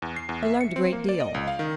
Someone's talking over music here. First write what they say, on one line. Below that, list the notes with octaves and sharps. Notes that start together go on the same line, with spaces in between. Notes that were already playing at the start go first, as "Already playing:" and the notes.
We learned a great deal.
E2
C7
E2
E5
C#7
C4
A#3
D5
D#5
C#2
F5
D#3